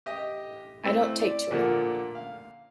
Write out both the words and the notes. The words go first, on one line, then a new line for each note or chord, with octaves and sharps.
I don't take to it.
G4 D#5
A3 C4 E4
D5
A#2 D3 F3 A#3
F5